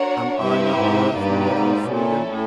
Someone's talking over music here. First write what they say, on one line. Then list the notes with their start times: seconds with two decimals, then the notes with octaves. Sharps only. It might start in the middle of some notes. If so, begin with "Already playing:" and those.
Am I not worth more than freedom?
Already playing: D4 F#4 A#4 C#5 F#5
0.38 G2 C4 E4 G4 B4 E5
0.77 G#2
1.14 G2 A#3 D#4 G4 B4 D5
1.46 A2
1.52 G#2
1.83 B2
1.89 A#2 C#4 E4 A4
2.26 A2